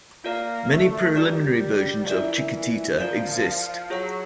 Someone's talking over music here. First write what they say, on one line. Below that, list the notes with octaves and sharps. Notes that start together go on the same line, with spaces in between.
Many preliminary versions of "Chiquitita" exist.
A#3 F4 A#4 D5
A3
G3 F4 A#4 D5
E3 F4 A#4 D5
E3
F3 F4 A#4 D5
F#3 F4 G#4 C#5 F#5